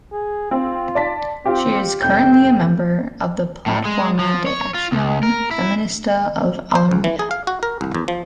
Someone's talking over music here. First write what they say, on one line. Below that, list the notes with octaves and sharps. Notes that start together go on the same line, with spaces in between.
She is currently a member of the Plataforma de Acción Feminista of Almería.
G#4
C4 F4
D5 A5 B6
C4 F4 G4
F1 G5 G6
A2
G#3
F3
C#5
F4
C#2
A#4
E4
C5
C#2
E3
G#4
F5
F#4
A#4
C2
E2
F3